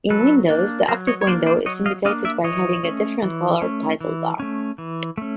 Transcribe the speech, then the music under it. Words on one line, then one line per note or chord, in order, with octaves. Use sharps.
In Windows, the active window is indicated by having a different coloured title bar.
F#3 A4 B4
A#3 D4
F#3 A#4 C5
C#5 D#5
C#5
A#3 D4 C5 D5
C5 D5
F#3 C#5 D#5
D#5 F5
A#3 D4 D#5 F5
D5 E5
E3 C#5 D#5
A3 C#4
E3
A3 C#4
E3
A3 C#4
E3
A3 C#4